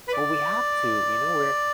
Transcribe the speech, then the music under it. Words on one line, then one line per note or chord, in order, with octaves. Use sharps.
Well, we have to, you know, we're
B4
D5